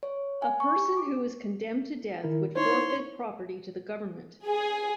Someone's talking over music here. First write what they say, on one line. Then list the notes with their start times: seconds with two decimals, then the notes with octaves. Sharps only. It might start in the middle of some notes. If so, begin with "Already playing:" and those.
A person who was condemned to death would forfeit property to the government.
0.03 C#5
0.42 G#5
0.60 C#6
0.76 G4
0.97 D6
2.24 D#3 E4 A#4
2.56 D#4 E4 C5 C#5 C6
4.47 G#4